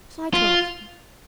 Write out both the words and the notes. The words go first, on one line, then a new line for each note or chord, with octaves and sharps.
July Twelfth.
F4